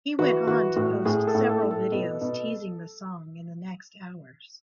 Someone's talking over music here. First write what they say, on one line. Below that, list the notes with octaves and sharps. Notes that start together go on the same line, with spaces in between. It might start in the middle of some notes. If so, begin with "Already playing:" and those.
He went on to post several videos teasing the song in the next hours.
E3 F#4
E3 F#4
A2 F#4
A2 G#4
A4
A2
A4
A2
A4
B2
B2